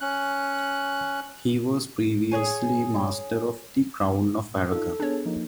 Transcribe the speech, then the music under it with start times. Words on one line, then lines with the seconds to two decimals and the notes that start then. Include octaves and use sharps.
He was previously Master of the Crown of Aragon.
0.01 C#4 F#6
2.32 G#4 B4 C#5 G#5
4.72 D#4 F4 A4
5.00 B3 D4 G#4 C#5
5.25 F3 A#3 D#4